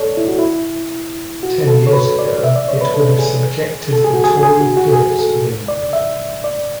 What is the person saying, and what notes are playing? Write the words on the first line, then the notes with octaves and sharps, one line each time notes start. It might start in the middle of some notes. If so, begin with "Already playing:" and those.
Ten years ago, it would have subjected the Tory Peers of England.
Already playing: A4 C#5 D5
E4
F#4
E4
F#4
A4
C#5
B4
D5
E5
D5
C#5
B4
A4
G#4
A4
G#4
F#4
G#4
G#4
F#4
F#4
G#4
A4
D5
E5
D5